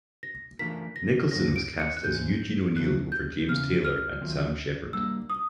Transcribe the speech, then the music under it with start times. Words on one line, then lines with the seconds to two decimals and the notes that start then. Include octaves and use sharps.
Nicholson was cast as Eugene O'Neill over James Taylor and Sam Shepard.
0.23 A#6
0.59 E3 A3 D4 F4 A#4 B6
0.96 A#6
1.31 G2 D3 F#3 A3 C#4 A#6
1.56 D7
1.80 C#7
1.97 F#6
2.04 G#2 E3 G#3 G6
2.76 F2 C#3 F#3 A3 F#6
3.12 G6
3.48 E2 C#3 E3 F6
3.85 F6
4.21 D#3 F#3 A3 C4 F4
4.93 G3 A#3 D4 E6
5.30 D#6